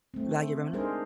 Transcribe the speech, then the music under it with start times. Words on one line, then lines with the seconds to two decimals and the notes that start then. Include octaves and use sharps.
La Llorona.
0.14 A3 C4
0.73 G#3 D4 D#4 G#4 A#4 C5